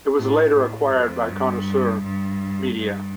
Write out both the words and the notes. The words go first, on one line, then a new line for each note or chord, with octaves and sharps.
It was later acquired by Connoisseur Media.
A2
A2
F2
G2
G2
G2